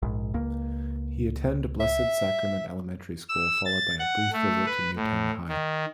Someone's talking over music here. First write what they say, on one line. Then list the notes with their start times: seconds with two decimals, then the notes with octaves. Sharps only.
He attended Blessed Sacrament elementary school followed by a brisk visit to Newtown High.
0.03 A#1 G#2
0.34 C#2 A#3
1.80 E5
3.29 E6
3.65 A6
3.99 F#5
4.33 A3
4.66 B4
4.96 A2
5.48 D#3